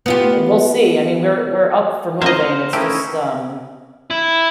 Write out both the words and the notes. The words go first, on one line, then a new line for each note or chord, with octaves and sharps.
We'll see. I mean, we're we're up for moving. It's just, um
B3 F4 G4
A#3 C4 C#4 E4 C5 D#5 F5
A3 C#4 D#4 E4 G4 A4 A#4
E4